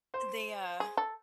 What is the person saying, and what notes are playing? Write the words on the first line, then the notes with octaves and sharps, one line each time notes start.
they, uh
C5 C6
G#4
A4